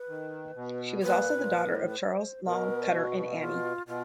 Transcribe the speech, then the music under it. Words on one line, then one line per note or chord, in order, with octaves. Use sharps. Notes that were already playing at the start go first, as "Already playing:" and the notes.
She was also the daughter of Charles Long Cutter and Annie.
Already playing: B4
D#3
B2
A#2 B4
A#2
A2
A#4
B4
C5
B2 A#4
F#4
F4
B2 F4